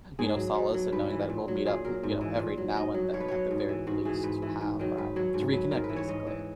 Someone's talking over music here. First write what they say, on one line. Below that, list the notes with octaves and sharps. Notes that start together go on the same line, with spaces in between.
you know, uh, solace in knowing that we'll meet up, p you know, every now and then at the very least to have um to reconnect, basically.
G#2 G#4
F#3
B2
F#3
G#2 B4
E3
A#2
F#3
A#2 G#4
F#3 A#4
G#2
E3
A#2
F#3
G#2 D#5
F#3
B2 C#5
B4
F#3 C#5
G#2
E3
G#2 F#4
E3 G#4
G#2 B4
E3
G#2
D#3 F#3
G#2 B4
F#3 C#5
G#2
F#3 B4
G#2 A#4
B4
E3
C#5
G#2 D#5
E3